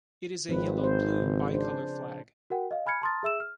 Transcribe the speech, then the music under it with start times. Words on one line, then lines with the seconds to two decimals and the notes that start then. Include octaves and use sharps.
It is a yellow-blue bicolor flag.
0.49 G#1 F3 C4 B4
0.84 C5
1.22 C#3
1.54 D4 C5
2.50 F#4 A#4 F#5 G5
2.71 D#5 F5
2.86 G#5 B5 F6 G#6 C#7
3.02 A5 A#5 C6 D#6 F6 A6
3.23 G#4 E5 E6 E7
3.40 F6